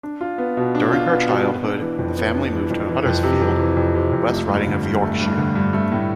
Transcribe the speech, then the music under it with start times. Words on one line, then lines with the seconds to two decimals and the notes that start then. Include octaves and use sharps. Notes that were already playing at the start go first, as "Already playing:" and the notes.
During her childhood the family moved to Huddersfield, West Riding of Yorkshire.
0.03 D4
0.21 F4
0.38 B3
0.57 B2
0.75 D4
0.93 F4
1.10 B3
1.28 B2
1.45 B3
1.63 D4
1.81 E3
1.99 F2
2.17 B3
2.34 D4
2.53 E3
2.70 F2
2.88 E3
3.06 F2
3.23 C3
3.41 F2
3.59 E3
3.77 F2
3.95 C3
4.13 F2
4.30 A3
4.48 G2
4.67 D3
4.84 G2
5.02 A3
5.19 G2
5.38 D3
5.55 G2
5.73 A3
5.92 A2